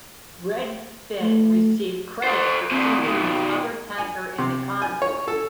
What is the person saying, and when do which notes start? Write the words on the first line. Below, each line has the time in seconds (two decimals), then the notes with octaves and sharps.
"Redfin" received credit for sinking the other tanker in the convoy.
1.21 A3
2.24 A4 C5
2.71 E3 C4
3.03 B2 D#3
3.98 G#5
4.38 C3
4.82 G#5
5.02 C#5
5.28 A4